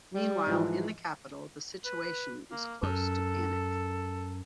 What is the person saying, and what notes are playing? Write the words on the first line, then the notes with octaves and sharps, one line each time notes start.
Meanwhile in the Capital, the situation is close to panic.
G3
G#2 E3 F3
B4
A#3
F#2 A4